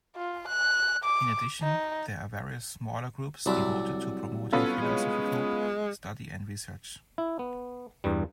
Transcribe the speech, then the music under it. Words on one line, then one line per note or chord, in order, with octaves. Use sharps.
In addition there are various smaller groups devoted to promoting philosophical study and research.
F4
F#6
D6
D#4
C2 F#3 D5 E5
B3 C#4 F4 A4
G#3
E4
B3
E2 G2 G3